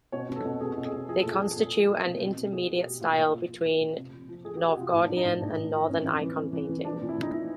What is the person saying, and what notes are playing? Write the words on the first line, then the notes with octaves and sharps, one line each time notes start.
They constitute an intermediate style between Novgorodian and Northern icon painting.
B2 C#5
B2
A4
B2
B2 G#4
B2
G#4
B2
F3 G#4
A4
A#2
G#4
A#2 A4
A#2
F3
F3
B2
B2
B2
B2 G#4
B2 F#4
G4
B2
A#2 F4
A#2
A#2
F3
A#2
A#2
C3
F3
F3
F3 G#4
F3 G4
F#4
C3 F4
A2 E4
F3 D4
D#4
A2
A2 D4
A2
F3
A2 C#4
E3
E3
E3
E3
E3
F3 D4
A#2
E4
A#2
D#4
F3 E4